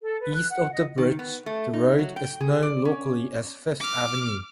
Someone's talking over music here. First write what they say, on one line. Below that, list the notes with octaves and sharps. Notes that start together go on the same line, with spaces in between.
East of the bridge, the road is known locally as Fifth Avenue.
A4
B4
F#6
F#5
D#5
D#3
B3
A3
D#4
F#3
G5
G#4
D5
C#4
D6 F6